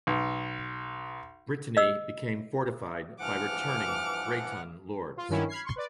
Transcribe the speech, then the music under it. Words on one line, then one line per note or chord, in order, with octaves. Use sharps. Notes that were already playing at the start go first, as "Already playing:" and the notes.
Brittany became fortified by returning Breton lords.
B1
D#5 E6
G2 E3 F3 F#5 D6 F6
F4
G2 D#3 F#3 C#4 E4
B5 F6 G#6 C7
C6 C#6
B4 D5